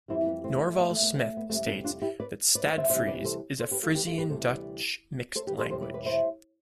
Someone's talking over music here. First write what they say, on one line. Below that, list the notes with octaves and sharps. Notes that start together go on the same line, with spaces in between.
Norval Smith states that Stadsfries is a Frisian-Dutch mixed language.
F2 E3 G3 C4 E4
B3
A3 C4
B3
A3
B3
A3
B3
A3 C4
A3
B3
F2 C3 G3 A3 C4
B3 D4
D4 F4
E4 G4
B4 D5
B4 D5
B4 D5
C5 E5
D2 C3 E3 G3 C5 E5
B4 D5
A4 C5
A4 C5
G4 B4
F4 A4
G4 B4
F4 A4
G4 B4
D2 C3 E3 G3 A4 C5
B4 D5
A4 C5
G4 B4
A4 C5
E2 B2 G3 A4 C5
B4 D5
B4 D5
C5 E5